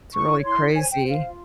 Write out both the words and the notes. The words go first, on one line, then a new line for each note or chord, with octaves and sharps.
It's really crazy.
E4 C#6
C#5
E4 C6
C#5
C5 G#5
C5 G5
F4 F5
F4